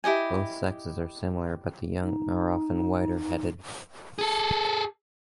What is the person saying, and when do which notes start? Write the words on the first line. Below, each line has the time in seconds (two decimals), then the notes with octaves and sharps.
Both sexes are similar, but the young are often whiter-headed.
0.04 E4 G4 D#5 G#5
2.02 D#4
4.19 G#4 A4